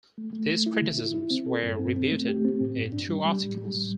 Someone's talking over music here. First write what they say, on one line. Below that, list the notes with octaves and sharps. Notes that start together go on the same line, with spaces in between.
These criticisms were rebutted in two articles.
A3
A3
A3
E4
D3
E4
E4
C4
A4
G2
C4
C4
A3
G4
C4
A2
G2
D4
G3
G3
A2
G3
A2